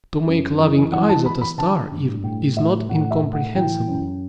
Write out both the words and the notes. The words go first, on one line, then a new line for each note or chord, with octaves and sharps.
To make loving eyes at a star even, is not incomprehensible.
F#2
E3
E3 F#5
A5
E3 B5
B5
D3 A5
G2
A2 G5
A2 E5
A2 F#5
F#5
E5
A2
F#5
E3 G5
F#2